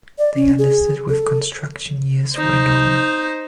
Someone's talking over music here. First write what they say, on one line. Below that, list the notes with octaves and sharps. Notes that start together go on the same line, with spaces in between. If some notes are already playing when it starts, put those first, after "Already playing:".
They are listed with construction years where known.
D5
C#4
G#4
A4
D#4 C5